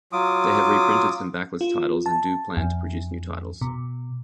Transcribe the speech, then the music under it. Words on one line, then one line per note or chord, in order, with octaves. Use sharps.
They have reprinted some backlist titles and do plan to produce new titles.
F#3 F4 D6 D#6
F4
A5
F2
B2